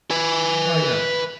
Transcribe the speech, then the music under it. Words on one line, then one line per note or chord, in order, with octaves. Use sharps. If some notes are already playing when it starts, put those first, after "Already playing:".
Oh, yeah.
B4 G#5